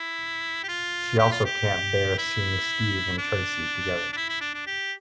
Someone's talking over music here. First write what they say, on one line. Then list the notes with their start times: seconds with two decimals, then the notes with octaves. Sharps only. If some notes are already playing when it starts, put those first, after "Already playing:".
She also can't bear seeing Steve and Tracy together.
Already playing: E4
0.64 G4
0.68 F4
1.19 G4
1.32 F4
1.45 G4
2.18 E4
3.18 D4
4.13 D4
4.17 E4
4.29 E4
4.41 D4
4.54 D4
4.67 G4